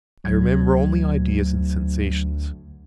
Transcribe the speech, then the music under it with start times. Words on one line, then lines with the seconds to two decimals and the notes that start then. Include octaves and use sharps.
I remember only ideas and sensations.
0.24 D2 F#3 G#6